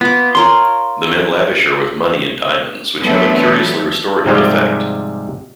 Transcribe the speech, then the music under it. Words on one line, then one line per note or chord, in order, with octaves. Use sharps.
The men lavish her with money and diamonds, which have a curiously restorative effect.
B3 F4 D6
F4 A#4 C#5 C6
D3 E3 F#3 A3 B3 C4
G#2 C3 F3 G3 G#3